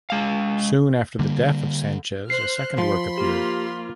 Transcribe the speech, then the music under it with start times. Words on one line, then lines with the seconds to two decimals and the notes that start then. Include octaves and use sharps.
Soon after the death of Sanchez a second work appeared.
0.10 G#3 F5
1.19 D3 G3 A#3
2.30 C5 F6 F#6 C7
2.78 F3 B5 C6
3.18 A#3 F4 G4